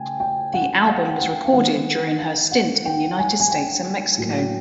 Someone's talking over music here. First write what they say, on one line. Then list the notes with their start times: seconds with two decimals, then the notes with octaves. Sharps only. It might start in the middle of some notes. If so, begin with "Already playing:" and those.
The album was recorded during her stint in the United States and Mexico.
Already playing: C#3 A3 G5 G#5
0.20 G5
0.54 F#5
0.86 F5
1.09 F#5
1.22 F#5
1.31 G5
1.45 F5
1.53 D#3 G#3 B3 F#5
2.19 F5
2.51 F#5
2.85 G5
3.19 G#5
3.40 G#5
3.51 G5
4.17 A2 F#3 A#3